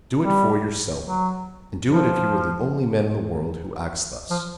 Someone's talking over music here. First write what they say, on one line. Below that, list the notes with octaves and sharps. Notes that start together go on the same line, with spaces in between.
Do it for yourself, and do it if you are the only man in the world who acts thus.
G3
F#3
F3
F3